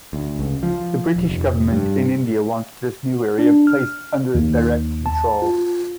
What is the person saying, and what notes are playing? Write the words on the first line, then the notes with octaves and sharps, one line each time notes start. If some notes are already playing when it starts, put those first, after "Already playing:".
The British government in India wanted this new area placed under its direct control.
D2
C#2
F3
D#1
F1
G2
D4
F6
D#2
A5
F4